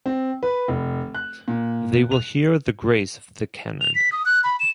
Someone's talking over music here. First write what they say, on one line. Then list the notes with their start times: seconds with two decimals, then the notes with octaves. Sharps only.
They will hear the grace of the cannon.
0.06 C4
0.43 B4
0.68 F1
1.15 F#6
1.48 A#2
2.12 F7
3.81 F7
3.95 B6
4.12 D#6
4.26 F#6
4.44 B5
4.60 E7